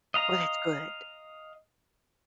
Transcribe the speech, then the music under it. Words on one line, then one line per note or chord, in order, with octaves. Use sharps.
Oh, that's good.
D#5 F5 A#5